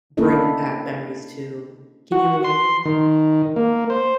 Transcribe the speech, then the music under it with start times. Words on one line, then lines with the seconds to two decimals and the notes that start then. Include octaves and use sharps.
bring back memories too. Can you relate to that?
0.17 A#3 C#4 D4 E4 A4 D#5
2.12 F#4
2.44 C6
2.85 D#3
3.56 A#3
3.90 C5